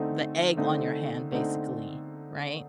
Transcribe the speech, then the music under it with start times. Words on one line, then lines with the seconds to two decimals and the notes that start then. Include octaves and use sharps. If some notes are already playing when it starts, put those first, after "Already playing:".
the egg on your hand basically, right?
Already playing: D3 A3 C4 D#4
0.57 D3 A3 C4 D#4
1.32 D3 A3 C4 D#4